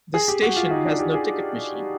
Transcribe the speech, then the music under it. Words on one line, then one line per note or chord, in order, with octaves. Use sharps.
This station has no ticket machine.
G#4
G4
F#4
F4
D#4
D4
G4
G#4